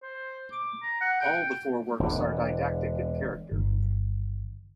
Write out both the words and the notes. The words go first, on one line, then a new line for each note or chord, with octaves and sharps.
All the four works are didactic in character.
C5
D6
A#5
F#5
G5
E1 D3
G1 D#3